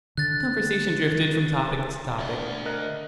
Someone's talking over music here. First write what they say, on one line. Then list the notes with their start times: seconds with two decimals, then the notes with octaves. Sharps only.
The conversation drifted from topic to topic.
0.17 D3 F#6 A6
2.20 D3 D5 E5
2.66 A#4 D#5 F#6